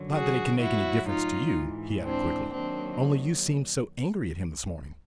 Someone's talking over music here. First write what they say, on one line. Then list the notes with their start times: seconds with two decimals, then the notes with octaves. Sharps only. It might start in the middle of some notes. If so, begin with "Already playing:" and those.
"Not that it can make any difference to you," he added quickly, "only you seemed so angry at him this morning."
Already playing: F#2 D3 F#3
0.12 F#4 G#4
0.60 A2 F#3 E4 F#4
1.09 D#4 F4
1.57 G#2 E3
2.05 C4 D4
2.53 D#2 D#3 F#3 C4 D4